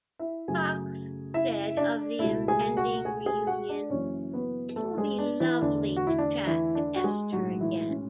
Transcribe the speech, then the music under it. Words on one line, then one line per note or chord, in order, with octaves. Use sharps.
Cox said of the impending reunion: It'll be lovely to chat to Esther again.
E4 E5
F#2 C#3 F#3 A3 G#4 G#5
E4 E5
D4 D5
C#2 B2 A3 E4 E5
G#4 G#5
F#4 F#5
G#4 G#5
G#4 G#5
F#4 F#5
D4 D5
F#1 F#2 E3 C#4 C#5
B3 B4
A3 A4
G#3 G#4
D4
E3 E4
E2 D3 A3 D4
F#4
E4
D4
E3 E4
D4
F#4
G#3 G#4
B1 A2 F#3 G#3 F#4
E3 E4
C#4